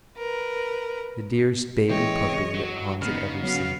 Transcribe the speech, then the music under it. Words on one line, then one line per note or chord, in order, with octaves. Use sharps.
The dearest baby puppy that Hans had ever seen.
A#4 B4
C3 E3 G#3 C#4 C#5 D#5 G5
F#3
C#3 B3 D#4 F6
F#3 B3 F5